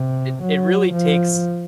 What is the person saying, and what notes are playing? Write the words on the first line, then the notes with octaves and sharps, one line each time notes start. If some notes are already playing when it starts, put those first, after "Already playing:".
it it really takes
Already playing: C3
F#3
F3